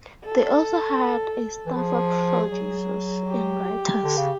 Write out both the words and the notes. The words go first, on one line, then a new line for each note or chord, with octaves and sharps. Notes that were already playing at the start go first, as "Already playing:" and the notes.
They also hired a staff of producers and writers.
A4
E3
F3 G#4
F#3
G4
D3
C#3